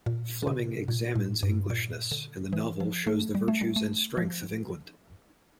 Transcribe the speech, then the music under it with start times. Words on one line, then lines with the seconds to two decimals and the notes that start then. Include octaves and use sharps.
Fleming examines Englishness, and the novel shows the virtues and strength of England.
0.06 A#2
0.42 D3
0.47 C3
0.88 A#2
1.15 A2
1.43 G2
1.70 A#2
2.12 D3
2.53 E3
2.80 F3
3.07 A3
3.35 G3
3.48 A3
3.61 G3
3.76 A3
4.17 F3